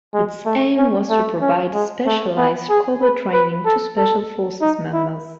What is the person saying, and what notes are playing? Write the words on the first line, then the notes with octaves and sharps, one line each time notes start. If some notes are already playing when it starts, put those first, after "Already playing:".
Its aim was to provide specialised covert training to Special Forces members.
G#3
A3
C#4
A3
C#4
G#3
A3
B3
G#4
B4
B4
A4
A4
D#4
E4